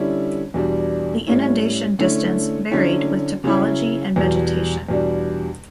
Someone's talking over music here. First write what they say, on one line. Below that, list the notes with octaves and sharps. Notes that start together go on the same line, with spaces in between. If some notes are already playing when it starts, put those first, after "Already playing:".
The inundation distance varied with topology and vegetation.
Already playing: D3 G3 C#4 E4
E2 B2 G3 D4
A2 G3 C#4 E4
D3 A3 C#4 E4
D3 F#3 C#4 E4
C#3 F#3 C#4 E4
E2 B2 G3
E2 B2 G3 D4